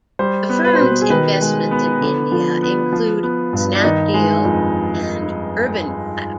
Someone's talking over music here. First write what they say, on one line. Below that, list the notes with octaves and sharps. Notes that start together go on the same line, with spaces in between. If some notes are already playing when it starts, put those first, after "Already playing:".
The firm's investments in India include Snapdeal and UrbanClap.
G3 C5
B3
B4
B2 C5
B4
G#4
D#3 B4
G#3
B3
D3
F3
B3
F3
B3
G2
D4
D#3 D#4
G#3
F2